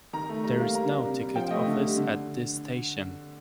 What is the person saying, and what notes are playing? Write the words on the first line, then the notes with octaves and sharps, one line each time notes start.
There is no ticket office at this station.
D#3 A#5
A3
G3 A#5
A#3
G3 A#5
D4
C3
G3
F3 G5
A3 D#5
D3
G3
D3